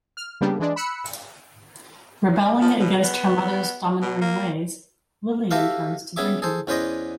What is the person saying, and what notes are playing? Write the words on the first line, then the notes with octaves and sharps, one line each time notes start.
Rebelling against her mother's domineering ways, Lillian turns to drinking.
F6
C#3 G3 A#3 B3 D4 G4
E3 G#3 D4
B5 E6 F#6 C#7
F3
B2
B3
B2
A#3
F#4 G4 A4 B4 E5 F5
B3 C#4 G#4 E5 D6
G#4 A4 C5
E2 C#4 B4 C5 D5 D#5